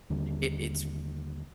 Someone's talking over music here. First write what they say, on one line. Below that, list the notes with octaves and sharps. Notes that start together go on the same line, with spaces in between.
it it's
D#2 D3 G3